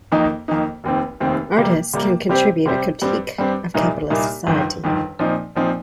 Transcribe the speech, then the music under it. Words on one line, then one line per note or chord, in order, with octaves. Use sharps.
Artists can contribute a critique of capitalist society.
F2 D#3 A#3 D#4
F2 D#3 A#3 D#4
F1 D#2 D#3 C4
F1 D#2 D#3 C4
C3 G3 A#3
C3 G3 A#3
C3 G3 C4 G4 C5
C3 G3 C4 G4 C5
G2 G3 C4
G2 G3 C4
C2 A#2 A#3 D#4 A#4
C2 A#2 A#3 D#4 A#4
G1 F2 D#3
G1 F2 D#3
A#2 F3 C4 D#4
A#2 F3 C4 D#4